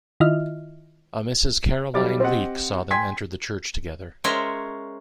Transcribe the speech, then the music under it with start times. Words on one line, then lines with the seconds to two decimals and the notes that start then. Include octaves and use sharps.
A Mrs. Caroline Leak saw them enter the church together.
0.20 D#3 E4 F4 D#5 E5 F6
1.94 B1 G3 G4 D6 A6
2.20 C4 G4 D#5 F#5
2.90 G5 G#5 C6 G#6 B6
4.24 G#3 C#4 A#4 C5 C#5 E5